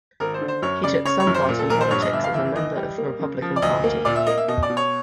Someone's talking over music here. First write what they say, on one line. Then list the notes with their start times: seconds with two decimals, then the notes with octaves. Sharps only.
He took some part in politics as a member of the Republican Party.
0.20 G#1 A#4
0.34 C5
0.41 D3
0.48 C5
0.62 F#2 C#5
0.84 C#3 D5
1.05 C#3 C#5
1.20 C#5
1.27 F#2
1.34 C5
1.49 A#2
1.59 A4
1.70 A#1 A#4
1.81 C5
1.91 G2 C#5
2.02 D#5
2.13 G1 E5
2.24 F5
2.34 E3 E5
2.55 E3 D#5
2.77 G3
2.98 A#3
3.19 C#3
3.42 F3
3.56 D5
3.62 D2 D#5
3.84 A#3
4.05 A#2 D5
4.16 E5
4.27 A#3 D#5
4.37 E5
4.48 B2 D#5
4.63 D5
4.70 B2
4.77 C#5